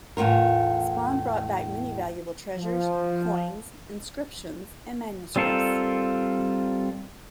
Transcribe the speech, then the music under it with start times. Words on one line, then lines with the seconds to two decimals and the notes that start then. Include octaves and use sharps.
Spon brought back many valuable treasures, coins, inscriptions and manuscripts.
0.17 E2 A2 F4 A#4
2.57 F3
5.36 G3 C4 F4 A4 A#4